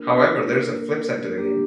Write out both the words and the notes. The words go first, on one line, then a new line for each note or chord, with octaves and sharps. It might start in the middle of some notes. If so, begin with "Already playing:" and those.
However, there is a flip side to the game.
Already playing: A#3 D4 F4 A#4
A#3 D4 F4 A#4
G3 A#3 D4 F4 G4